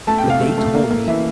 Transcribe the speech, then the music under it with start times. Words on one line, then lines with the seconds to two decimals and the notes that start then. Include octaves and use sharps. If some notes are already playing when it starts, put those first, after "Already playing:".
But, they told me,
0.07 A3 A5
0.18 G5
0.24 C3
0.30 F5
0.40 A3
0.58 A3
0.75 A#3
0.91 A#3
1.07 E3 E5